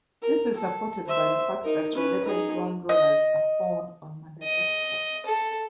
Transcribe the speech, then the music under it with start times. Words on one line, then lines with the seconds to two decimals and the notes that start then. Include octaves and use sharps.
This is supported by the fact that the related ground-rollers are found on Madagascar.
0.22 A#4
0.55 A4
1.06 C5 E5
1.63 D#4 A#4
1.95 C#4 B4
2.24 D#4 G#4
2.89 D#5
4.44 D#5
5.26 A4